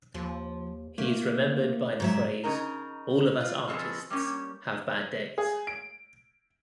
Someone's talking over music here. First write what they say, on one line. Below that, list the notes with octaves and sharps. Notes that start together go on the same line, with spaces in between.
He is remembered by the phrase, all of us artists have bad days.
D#2 F3
A3 A#3
G#2 F#3 E5
C#3 D#4 A#4
F4
B2 F3 B3 C4 G#4 A4
G3 A#3 C#4 G4
G#4
D7